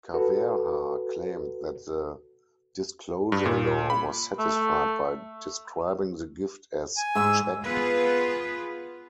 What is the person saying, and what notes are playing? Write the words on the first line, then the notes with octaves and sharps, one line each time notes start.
Ceverha claimed that the disclosure law was satisfied by describing the gift as 'check'.
F#4 A4 B4
G2
A#2
B5
A3
G#5
G#2 E6
B3 F4 G#4 B4